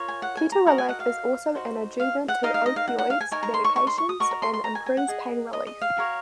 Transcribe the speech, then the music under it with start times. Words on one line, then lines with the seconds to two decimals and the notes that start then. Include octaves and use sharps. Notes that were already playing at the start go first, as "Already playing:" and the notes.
Ketorolac is also an adjuvant to opoids medications and improves pain relief.
Already playing: F4 A#4 C#5
0.08 G#5
0.22 F#5
0.37 G#5
0.52 A#5
0.66 F#4 A#4 D#5 A#5
0.78 G#5
0.89 F#5
1.00 F5
1.55 D#4 F#4 C5
2.00 F5
2.28 F#5
2.43 D#4 A#4 D#5 F5
2.54 F5
2.66 D#5
2.76 F5
2.88 F#5
2.98 F#5
3.10 F5
3.21 G#5
3.32 D#4 A#4 C#5 G#5
3.43 A#5
3.54 C6
3.64 C#6
3.76 C#6
3.87 C6
3.98 C#6
4.09 D#6
4.20 F#4 A#4 D#5 C#6
4.31 A#5
4.42 C6
4.54 C6
4.64 A#5
4.75 G#5
4.86 G#5
4.97 F#5
5.08 G#4 D#5
5.53 D#5
5.67 D#5
5.82 F5
5.97 F#4 A#4 C#5